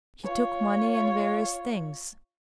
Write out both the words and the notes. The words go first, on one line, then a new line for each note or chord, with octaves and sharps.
He took money and various things....
F4 C#5